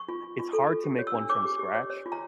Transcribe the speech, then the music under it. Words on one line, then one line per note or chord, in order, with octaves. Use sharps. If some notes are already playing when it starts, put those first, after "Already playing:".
it's hard to make one from scratch.
Already playing: C#6
F4
F4
F4
A4
F4
G4
C#5
E6
D4
C#5 D6
G4
G4
C#5
C#5
F4
A#5